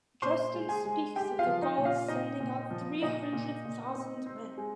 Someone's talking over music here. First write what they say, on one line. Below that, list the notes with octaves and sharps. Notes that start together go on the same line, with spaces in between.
Justin speaks of the Gauls sending out three hundred thousand men.
A#2 C5 C6
G#3
G#4 G#5
G#3
G#3 G4 G5
F4 F5
F3
D#4 D#5
A#2
F4 F5
A#2 D#4 D#5
A#2
F3
A#2 D#4 D#5
A#2
A#2
C4
C4
G#3